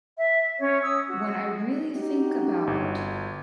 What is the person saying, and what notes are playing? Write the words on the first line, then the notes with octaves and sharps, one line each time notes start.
when I really think about
E5
C#4 C#5
D#6 E6
F#4
D#4 F#4 G4
G1